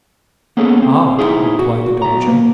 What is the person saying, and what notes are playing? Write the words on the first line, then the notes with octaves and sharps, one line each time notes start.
'Hard,' replied the Dodger.
A#3 B3 C#4 G#4 A4
C4
D#4 E4 G#4
F#4
B1 A#5
A#3